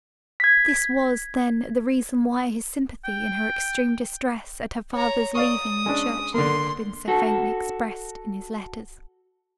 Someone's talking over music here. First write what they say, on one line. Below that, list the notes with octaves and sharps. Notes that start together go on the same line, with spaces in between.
This was, then, the reason why his sympathy in her extreme distress at her father's leaving the Church had been so faintly expressed in his letters.
G#6 B6
G5
C#5 A#5
D5 F5 C#6 D#6
G#3 C#4 D4
D3 A#3 C6
F#4 A4